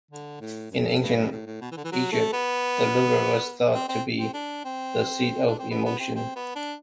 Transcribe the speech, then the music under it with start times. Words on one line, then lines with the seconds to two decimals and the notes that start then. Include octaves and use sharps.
In ancient Egypt, the liver was thought to be the seat of emotion.
0.11 D3
0.40 A2
0.71 F#2
1.02 G2
1.31 A2
1.46 A2
1.61 B2
1.72 E3
1.77 D3
1.84 E3
1.92 F#3
2.12 A3
2.33 B3
3.74 C4
3.89 C4
4.19 C4
4.34 D4
4.64 C4
5.47 D4
5.59 C4
5.70 B3
5.85 B3
6.00 C4
6.15 C4
6.36 B3
6.56 D4